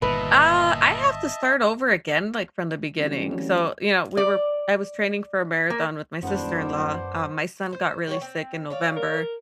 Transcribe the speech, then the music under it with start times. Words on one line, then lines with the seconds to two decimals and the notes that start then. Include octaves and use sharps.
Uh, I have to start over again, like, from the beginning, so, you know, we were I was training for a marathon with my sister-in-law, uh, my son got really sick in November,
0.02 G1 A#2 D#3 B4 D#5 E5 A5
2.99 E3 F#3 G3 A3 C4 C#4
4.17 D5
5.70 A#3
6.23 D#1 F#2 B3 D4 C5
7.73 C5
8.07 G3 F#4 C#5
8.21 C4
8.70 C#5 D5 F5
8.96 A#4